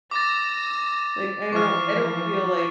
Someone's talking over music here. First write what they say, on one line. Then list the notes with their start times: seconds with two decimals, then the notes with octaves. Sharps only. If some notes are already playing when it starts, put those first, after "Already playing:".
Like, I don't I don't feel like
0.11 D6 E6 A6 A#6
1.52 E3 F3 C#6 F6